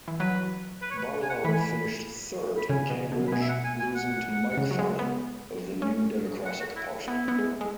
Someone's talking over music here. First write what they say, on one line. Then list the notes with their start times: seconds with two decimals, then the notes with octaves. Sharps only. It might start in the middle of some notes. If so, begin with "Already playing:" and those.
Barlow finished third in Cambridge, losing to Mike Farnan of the New Democratic Party.
0.08 E3
0.19 F#3 B4
0.82 B4
0.90 C#5
0.98 B4
1.22 G#5
1.29 F#5
1.45 E3 B5
1.52 G#5
1.60 B5
2.57 B5
2.70 C#3 G#5
2.90 B2
3.12 B2
3.27 B5
3.32 B2 G#5
3.41 E5
3.48 F#5
3.64 G#5
3.79 G#5
3.95 F#5
4.57 C#3
4.71 F#3
4.79 G#3
4.99 B3
5.82 C#4
6.45 F#5
6.60 F#4
6.76 E4
7.08 B3 E4
7.28 B3
7.39 G#3
7.61 G#3